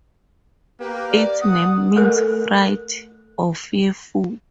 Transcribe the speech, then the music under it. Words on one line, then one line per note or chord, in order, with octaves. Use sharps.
Its name means "fright" or "fearful".
A#3 G4 B4
D5
F#5 D#6
A3 A4 A#4